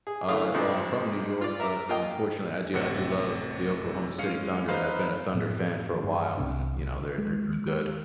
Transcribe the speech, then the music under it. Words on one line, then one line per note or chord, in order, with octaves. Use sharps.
Uh, well, I'm from New York, but unfortunately I do I do love the Oklahoma City Thunder, and I've been a Thunder fan for a while and, you know, they're they're doing good.
G#4
D3 E3 A3 F5 D#6
B1 G#2 F3 C4 D4
F4 D5
A#4 E5 A#5 D6
A#3 F4 D#5 G5 D#6
A1 A2 C3 F#4 F#5 C#7
G#3 C#4 F5 C#7
D#4 B4 C5 F5 B5
A2 F3 A3 B3
G2
C2 C3 B3 D4
G#3